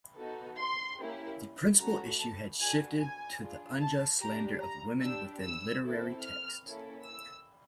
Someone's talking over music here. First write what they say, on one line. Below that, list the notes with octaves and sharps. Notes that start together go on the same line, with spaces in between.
The principal issue had shifted to the unjust slander of women within literary texts.
B3 D#4 F#4 A4
C6
A#3 C#4 E4 G4
A3 C#4 F#4 A4 A#5
A5
D4 F#4 A4 G#5
G#5
D4 F4 G#4
A5
D4 G4 A#5
A#5
D4 G4 E6
E6
C4 E4 A4
F6
A#3 C#4 E4 A4
E6